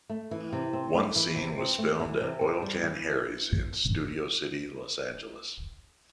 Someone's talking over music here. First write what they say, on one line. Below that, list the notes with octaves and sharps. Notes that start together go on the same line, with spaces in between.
One scene was filmed at Oil Can Harry's in Studio City, Los Angeles.
A3
E3
C3
C4
A3
E3
C3
C4
A3
E3
C3
C4
G3
E3